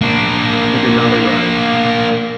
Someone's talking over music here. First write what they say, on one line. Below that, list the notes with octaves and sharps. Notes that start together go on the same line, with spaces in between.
She did not arrive.
A#3 D4